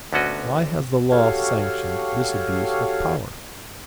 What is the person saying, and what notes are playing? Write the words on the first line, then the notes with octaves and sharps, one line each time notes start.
Why has the law sanctioned this abuse of power?
D2 D3 B3 C#4 F#4 D#5
F#4 G4 A4 C#5 F5